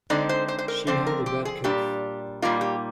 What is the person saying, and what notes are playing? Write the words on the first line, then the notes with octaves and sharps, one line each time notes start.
She had a bad cough.
D3 G#3 C4 D#4 D5
C5
C5
C5
A#4
D3 F3 C4 C5
A#4
G4
G#4
A#2 G3 D4 G4
A#2 G3 A#3 D#4 F4
G4